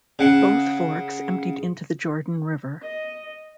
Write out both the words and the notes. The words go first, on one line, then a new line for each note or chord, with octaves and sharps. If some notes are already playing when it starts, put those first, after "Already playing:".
Both forks emptied into the Jordan River.
C#3 F#5
D#5